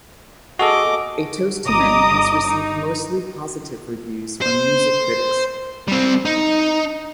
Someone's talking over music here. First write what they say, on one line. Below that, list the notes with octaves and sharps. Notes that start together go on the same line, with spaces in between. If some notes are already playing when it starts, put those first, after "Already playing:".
"A Toast to Men" has received mostly positive reviews from music critics.
F#4 G#4 A4 D#5 D6
G1 D#5 A#5 D6 D#6
D#4
C5
G3 C4
D#4